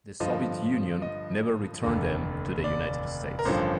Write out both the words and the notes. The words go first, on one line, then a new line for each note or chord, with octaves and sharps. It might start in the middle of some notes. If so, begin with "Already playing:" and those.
The Soviet Union never returned them to the United States.
G2 D3 F3 D#5
D#5
F1 D#2 D3
D5
A#4
A1 G2 D3 F3 C5